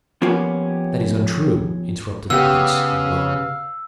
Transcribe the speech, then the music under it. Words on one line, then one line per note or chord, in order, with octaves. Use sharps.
"That is untrue!" interrupted the prince, in alarm.
F3 A#3 B3 C#4 F4 G4
C#3 B3 G4 F5 E6